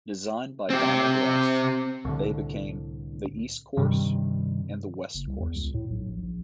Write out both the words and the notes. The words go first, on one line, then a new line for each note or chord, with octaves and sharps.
Designed by Donald Ross, they became the East Course and the West Course.
C4 G4
C2 A2 D3
G2 C3 D#3 G3
F#1
C2
E2
C#2
A2
B1
A#1
A#1